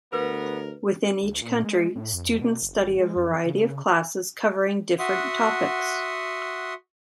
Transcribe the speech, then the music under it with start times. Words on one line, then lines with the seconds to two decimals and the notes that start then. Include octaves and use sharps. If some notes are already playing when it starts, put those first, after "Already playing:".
Within each country, students study a variety of classes covering different topics.
0.13 D2 B3 A#4 B4
1.23 D2
1.42 A#2
1.64 G#3
1.95 A2
2.13 F2
2.41 B2
2.62 F#1
2.81 G#1
3.00 G#3
3.16 F2
3.45 C#3
4.99 F#4 E5 F#5 C6 D#6